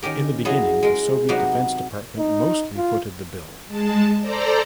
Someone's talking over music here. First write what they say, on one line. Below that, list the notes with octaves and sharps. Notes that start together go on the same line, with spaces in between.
In the beginning, the Soviet Defense Department mostly footed the bill.
D#3 C#4 G4 A#4
F#3 E4 F4 G#4 D#5
G#3 A#4
C3 F#3 A#3 B3 D#4 F#4
D#4
F4
G#3 A5
A4 C5 D5 A#5